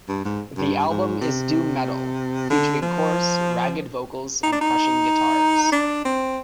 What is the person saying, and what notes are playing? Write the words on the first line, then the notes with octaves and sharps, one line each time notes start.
The album is doom metal featuring coarse, ragged vocals and crushing guitars.
G2
G#2
G2
G#2
C3
D3
F3
D#4
D4
D#4
D4
C4